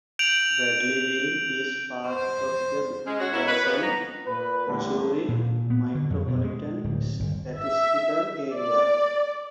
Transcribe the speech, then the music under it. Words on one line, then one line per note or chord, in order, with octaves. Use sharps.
Bradleyville is part of the Branson, Missouri Micropolitan Statistical Area.
G6 D7 F7 F#7
C5
G#3 C#4
F#4 C#5
G#3 A#3 E4
B4
F2 B3
A#5
A#2 B4
E2 A2 D3 G3
A#2
B3
D3
F2
B2
G#3
D1
G1
E5
D5